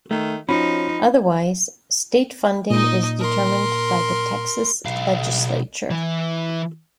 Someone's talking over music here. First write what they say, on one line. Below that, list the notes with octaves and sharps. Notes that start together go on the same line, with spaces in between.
Otherwise, state funding is determined by the Texas Legislature.
D#3 A3
F3 C#4 D#4 F#4 B5
A#2 D#4 D#5
A#4 C6
B1 F5
E3